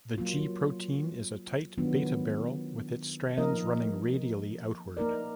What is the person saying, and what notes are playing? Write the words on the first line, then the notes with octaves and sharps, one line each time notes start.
The G protein is a tight beta barrel with its strands running radially outward.
F#3 A#3 F4
D#3 F#3 B3 D4 F4
F3 A#3 D#4 A#4 D#5
A#3 D#4 A#4 D5